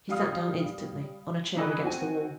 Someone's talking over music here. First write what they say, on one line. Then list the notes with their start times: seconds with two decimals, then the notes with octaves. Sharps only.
He sat down instantly, on a chair against the wall.
0.09 G3 F5 D#6 F6
1.57 E3 D#4 E4 G#4 B4
1.83 C4 F#4 G#5